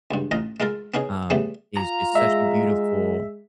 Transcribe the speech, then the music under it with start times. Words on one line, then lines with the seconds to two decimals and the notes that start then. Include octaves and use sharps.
um, is just such a beautiful,
0.11 C#2 G2
0.31 A1 F4 D#5 A#5
0.60 G#3 F4 A4 A#4
0.94 B3 C#4 D#4 G#4
1.30 C#3 G3 A3 B3 G4
1.77 F4 A#5
2.15 G#3 E5